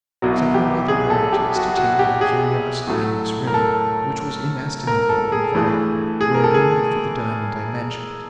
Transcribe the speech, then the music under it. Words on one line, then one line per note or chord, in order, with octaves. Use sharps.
Several other rarities detained my curiosity in this room, which was inestimable in value, were it only for the diamond I mentioned.
C2 B2 F#3
G4
G#4
A4
G4
F#4
F#4
G4
G#4
A2 F#3 A3
A#4
A4
A#4
A4
G#4
A4
G2 E3 A3 G#4
G#4
A#4
A4
G#4